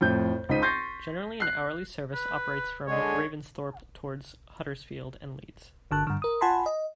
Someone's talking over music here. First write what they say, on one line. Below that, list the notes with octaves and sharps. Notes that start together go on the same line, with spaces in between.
Generally an hourly service operates from Ravensthorpe towards Huddersfield and Leeds.
F2 A2 G6
C#2 D#4 C5 B6 D#7
C6 C#6 G6 A6 A#6 C7
F#6 C7
B4
D3 G#3 C#5
G1 D3 A5 F#6
G2 D3
A#4 D#6
F4 F#5 G#5 A5 B5 C6
D#5